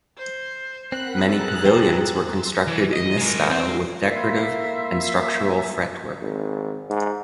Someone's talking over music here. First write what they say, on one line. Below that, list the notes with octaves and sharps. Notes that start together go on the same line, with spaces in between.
Many pavilions were constructed in this style with decorative and structural fretwork.
C5
C4 A#4 F#5 B5 F#6
G#4 A4 A#5
E2 C5 G5
C6 E6 A6
E3
D#5
G#3 A#4
C4
A#3 A#4 E5 B5 C6
G#1
G#2